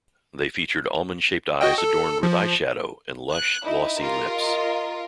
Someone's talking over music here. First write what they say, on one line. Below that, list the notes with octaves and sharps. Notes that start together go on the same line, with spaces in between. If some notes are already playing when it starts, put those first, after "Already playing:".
They featured almond-shaped eyes adorned with eyeshadow, and lush, glossy lips.
F#4 D#5 G5
A4
F3
F#6
D#4 E4
F4 G4 A#4
D#5